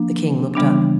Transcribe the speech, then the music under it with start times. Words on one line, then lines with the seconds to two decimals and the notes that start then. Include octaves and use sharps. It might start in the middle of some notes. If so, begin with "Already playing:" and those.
The king looked up.
Already playing: F3 A#3 D4
0.55 C#3 E3 G3 B3 D4